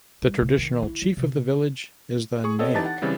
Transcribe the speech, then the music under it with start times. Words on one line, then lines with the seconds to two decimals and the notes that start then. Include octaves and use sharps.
The traditional chief of the village is the "Naik".
0.22 G3
0.42 C3
0.58 D#3
0.82 E4
1.02 F#3
1.17 C3
2.44 G#4 C#6
2.59 B3 C4 A4 C#5 D#5
2.74 E3 D#4 G4 A5 A6
2.86 F#5
3.02 C#3 E3 G3 C4